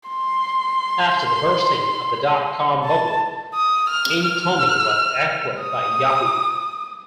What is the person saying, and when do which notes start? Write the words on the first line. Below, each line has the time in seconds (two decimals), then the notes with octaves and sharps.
After the bursting of the dot-com bubble, Inktomi was acquired by Yahoo!
0.09 C6
2.85 A5
3.55 D#6
3.89 F6
4.24 F6
5.61 D#6